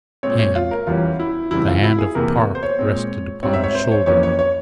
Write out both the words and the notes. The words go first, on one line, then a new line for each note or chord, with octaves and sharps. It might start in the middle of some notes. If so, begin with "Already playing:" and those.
A hand, the hand of Park, rested upon his shoulder.
A#2 G#3 C4 C#5
C#5
F4
A#4
E2 E3 G3 C#4 F4
E4
E2 C#3 G3 C4 E4
F4
E4
G#4
E2 C3 E3 A#3 A#4
C5
C#5
A#2 G#3 C4
G#2 G3 C4 C#5
E5
C#5
C5
C#5
F2 E3 A#3 C#4 C#5
C#5
C#5